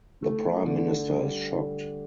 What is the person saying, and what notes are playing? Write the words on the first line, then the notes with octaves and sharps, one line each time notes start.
The Prime Minister is shocked.
A3
D3
G3
D3